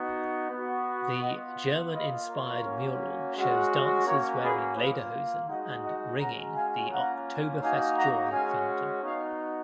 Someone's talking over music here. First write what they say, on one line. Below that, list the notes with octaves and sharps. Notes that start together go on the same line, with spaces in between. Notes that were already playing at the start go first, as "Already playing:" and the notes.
The "German inspired" mural shows dancers wearing lederhosen and "ringing" the "Oktoberfest Joy" fountain.
Already playing: B3 D#4 F#4
B3 F#4
B3 F4 D#5 F#5
A#3 F4 B4 D#5
A#4 C#5
A#3 C#4 F#4
G#3 C#4 F#4
A#3 C#4 F#4 A#4 C#5
G#4 B4
A#3 F4 G#4 B4
G#3 D#4 F#4 D#5 F#5
D#5 F#5
G#3 C#4 F#4 F#5 A#5
F5 G#5
A#3 C#4 F4 F#5 A#5
A#3 D#4 F#4 F5 G#5
F#5 A#5
G#3 C#4 F#4 F5 G#5
B3 D#4 F#4 C#5 F5